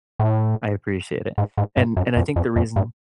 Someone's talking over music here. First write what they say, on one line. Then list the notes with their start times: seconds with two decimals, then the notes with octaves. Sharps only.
I appreciate it. And and I think the reason
0.19 A2
1.38 G#2
1.57 G#2
1.77 G2
1.97 F#2
2.17 F2
2.36 F2
2.56 F2
2.76 G2